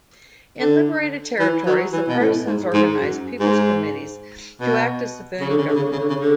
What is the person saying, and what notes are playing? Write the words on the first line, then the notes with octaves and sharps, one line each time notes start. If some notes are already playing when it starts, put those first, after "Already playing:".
In liberated territories, the Partisans organised People's Committees to act as civilian government.
D3
E3
F#3
E3
B2
A2
G#2
G#2
F#2
G#2
B2
C#3
D3
C#3
D3
C#3
D3
C#3
D3
C#3
D3